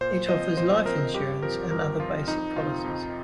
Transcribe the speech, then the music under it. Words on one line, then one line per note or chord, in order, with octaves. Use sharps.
It offers life insurance and other basic policies.
A#2 C5
F3 C4 D#5
A#2 C5
F3 C4 A#4
G2 G4
F3 C4 A#4
G2 A#4
F3 C4 F4
F2 D#4
C3 F3 C4 F4
F2